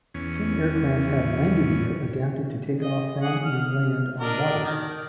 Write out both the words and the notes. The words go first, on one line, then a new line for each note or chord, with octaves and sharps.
Some aircraft have landing gear adapted to take off from and land on water.
E2 C#4
D#5
G#4 F#5
F6
D4 A#4 D#5
D#3